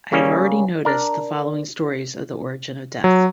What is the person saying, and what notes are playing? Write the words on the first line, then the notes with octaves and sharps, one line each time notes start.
I have already noticed the following stories of the origin of death.
C#3 G3 A#3 C#4
D4 A#4
F#3